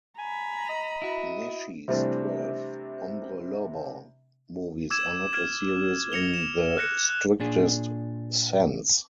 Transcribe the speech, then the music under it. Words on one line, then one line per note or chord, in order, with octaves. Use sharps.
Naschy's twelve "Hombre Lobo" movies are not a series in the strictest sense.
G#5 A#5 B5
D#5
E4 F#4
C3 E3 G3 A3 C4 D4
D6 E6 G#6 E7
F6 G#6
A#6 C#7 F7 G7
E7
F6 F#6 A#6 C#7
F#6
A#2 D4 G#4